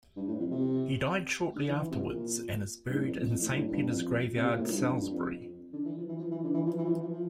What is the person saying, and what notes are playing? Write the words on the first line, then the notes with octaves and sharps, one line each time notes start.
He died shortly afterwards and is buried in Saint Peter's graveyard Salesbury.
G2
A2
F2
C3
D3
E3
E3
C3
A#2
G2
A2
F2
F2
F2
A2
G2
A2
G2
F2
C3
A#2
A2
G2
F2
G2
F2
D3
E3
F3
E3
F3
E3
D3
E3
F3
E3
F3
E3
F3
F3